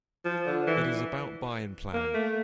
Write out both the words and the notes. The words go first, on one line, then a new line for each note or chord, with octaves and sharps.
It is about by in plan.
F3
D3
E3
A#3
A3